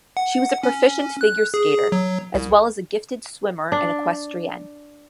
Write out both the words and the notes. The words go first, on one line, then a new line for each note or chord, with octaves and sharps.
She was a proficient figure skater, as well as a gifted swimmer and equestrienne.
F#5
C#4
F#6
G#4
F#3
C2
D4